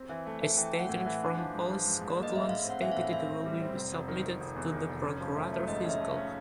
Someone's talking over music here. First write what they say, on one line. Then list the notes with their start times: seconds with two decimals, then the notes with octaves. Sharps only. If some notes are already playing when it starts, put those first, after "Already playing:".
A statement from Police Scotland stated it would be submitted to the Procurator Fiscal.
Already playing: C4
0.09 E3
0.26 A3
0.41 A3
0.57 E3 G5
0.74 A3
0.79 F#5
0.89 A2
1.00 F#5
1.06 E3
1.22 D4
1.37 F3
1.54 G#2
1.70 F3
1.85 G#2
2.01 G#2
2.10 D5
2.17 A#3
2.23 D#5
2.33 G#2 E5
2.49 A2 F5
2.65 C4
2.70 F#5
2.81 E3 E5
2.92 F5
2.96 A2
3.12 C4 E5
3.29 C4
3.45 G3
3.61 C4
3.77 F1
3.92 F1
4.08 D#3
4.25 D#3
4.40 F1
4.56 E2
4.72 D#3
4.89 F1
5.04 C#4
5.20 F3
5.36 A3
5.52 A3
5.68 G#2 D#5
5.84 C#4 E5
6.00 A3
6.11 F5
6.16 C#4